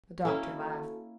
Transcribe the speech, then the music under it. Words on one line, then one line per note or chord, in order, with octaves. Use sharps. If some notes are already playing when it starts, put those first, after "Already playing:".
The doctor laughed.
A#3 C#4 E4 F#4 A4